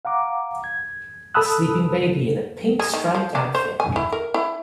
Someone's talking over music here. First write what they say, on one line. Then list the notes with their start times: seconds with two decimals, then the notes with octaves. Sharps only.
A sleeping baby in a pink striped outfit.
0.05 F5 F#5 A#5 D6
0.64 G#6
1.34 A4 A5 B5 D#6 E6 F#6
2.79 G#4
2.93 D#3
3.14 F3
3.35 D4
3.55 C5
3.80 G#5
3.96 E4
4.12 A#4
4.34 E4